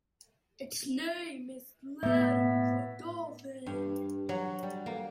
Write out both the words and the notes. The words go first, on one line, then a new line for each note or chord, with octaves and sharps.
Its name is Latin for dolphin.
A2 B3 E5
G2
F#3
G3
A#3